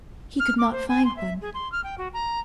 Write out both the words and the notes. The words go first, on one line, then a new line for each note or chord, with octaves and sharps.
He could not find one.
F6
D6
C5
G#5
C6
E5
G#4
C6
F6
G5
F#4
A#5